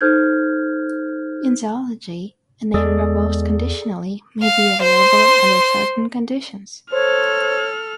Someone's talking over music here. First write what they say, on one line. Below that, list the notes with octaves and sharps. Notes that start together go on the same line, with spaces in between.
In zoology, a name proposed conditionally may be available under certain conditions.
D#4 A4 C5 F6 G6 G#6
E2 G#3 G#4 A4 D5
F5
C5 C6
A4 C5 C#5 F6